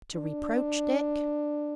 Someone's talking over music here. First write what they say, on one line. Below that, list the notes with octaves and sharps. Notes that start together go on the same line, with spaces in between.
To reproach Dick?
D4